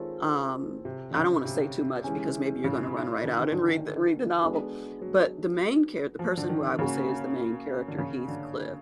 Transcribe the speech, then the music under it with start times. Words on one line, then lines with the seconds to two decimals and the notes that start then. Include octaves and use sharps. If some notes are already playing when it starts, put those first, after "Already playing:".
um, I don't wanna say too much because maybe you're going to run right out and read the read the novel, but, the main char the person who I would say is the main character, Heathcliff
Already playing: D#3 G#3 C4 F4 A4 C#5
0.85 C3
1.11 D3
1.15 C#3
1.45 C3
2.04 E3 G#3 C#4
2.64 C#3
3.24 D3
3.37 D#3
3.52 D3
3.68 D#3
4.42 G#3 B3 D4 F#4 A4
5.02 F#3
6.19 F3
6.37 D3
6.49 D#3
6.79 C#3 A#3 C#4 F#4
7.88 D3
7.98 C#3
8.28 D3